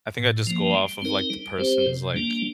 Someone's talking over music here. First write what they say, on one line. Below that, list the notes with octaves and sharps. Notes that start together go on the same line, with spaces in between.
I think I just go off of, like, the person's, like,
A2
F3 A#3
G3
C4 D#4 A#4
G3
C4 G4 C5
C3
G3 A#3 D4